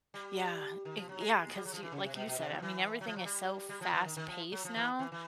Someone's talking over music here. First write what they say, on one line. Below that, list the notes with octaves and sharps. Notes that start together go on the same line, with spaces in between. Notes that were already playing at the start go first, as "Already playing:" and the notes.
Yeah, it Yeah, 'cause you like you said, I mean, everything is so fast-paced now
G3
D#3
F3
F#3
G#3
G3
F#3
F3
E3
C#3
C3
B2
B2
C3
E3
F3
E3
F#3
F3
F#3
G3
G3
F3
E3
D#3
D#3
F3
F#3
F3
E3
E3
E3